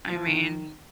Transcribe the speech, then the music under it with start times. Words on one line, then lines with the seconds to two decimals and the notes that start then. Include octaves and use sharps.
I mean
0.09 F3
0.27 D#3